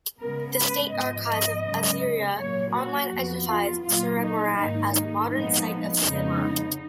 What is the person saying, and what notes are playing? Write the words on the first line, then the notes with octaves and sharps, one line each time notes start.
The State Archives of Assyria Online identifies "Surimarrat" as the modern site of Samarra.
C#3 G#3 B3 A#4
B4
G#2 F3 B3 D#5
D#5
F#2 C#3 G#3 B3
A#2 F#3 A#3 C#5
F#4
F2 F3 B3
F4
A#2 F#3 B3 F4
D#4
G#2 D#3 A#3 D#4
D#4
A#2 F3 G#3 B3 D#4
F2 C#3 G#3 B3 D#4